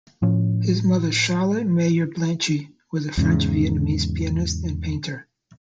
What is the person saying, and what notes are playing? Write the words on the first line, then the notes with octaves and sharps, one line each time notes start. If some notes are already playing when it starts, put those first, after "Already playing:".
His mother, Charlotte Mayer-Blanchy, was a French-Vietnamese pianist and painter.
A2 F3 C#4
E2 G#2 C#3